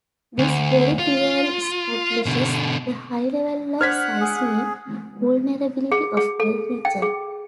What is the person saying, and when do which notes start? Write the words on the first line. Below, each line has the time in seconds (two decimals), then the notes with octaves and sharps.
This very clearly establishes the high level of seismic vulnerability of the region.
0.39 D2
0.99 F4
2.26 B2 D3
3.81 D4 C5 F#5 F6 G#6 B6
4.21 G#4
5.92 G#4
6.17 G#4
6.40 A4
6.85 G5
7.02 G#4